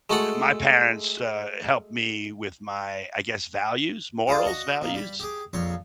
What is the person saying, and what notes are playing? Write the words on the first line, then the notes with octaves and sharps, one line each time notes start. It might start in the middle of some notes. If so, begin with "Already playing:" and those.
eh, my parents, uh, helped me with my, I guess, values, morals, values,
G#3 A3 F#4 A4 F#5
F4 G#4 C5 D5
F#4 D#5 C#6
B2 A#3
G3 B5
G4 G#4
A#1 F2 C#5 C6